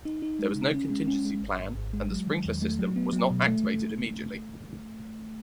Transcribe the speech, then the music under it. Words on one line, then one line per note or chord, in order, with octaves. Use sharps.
There was no contingency plan and the sprinkler system was not activated immediately.
D#4
D#4
G#3
C#3
C#4
G#3
C#4
G#3
G#1
G#2
G#1
G#3
F#3
D#3
E2
A3
F#3
B3
F#3
B2
A3
A3